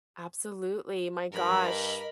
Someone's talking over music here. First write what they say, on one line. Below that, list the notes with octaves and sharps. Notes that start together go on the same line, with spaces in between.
Absolutely, my gosh.
G2 F3 A#4 B5
D#5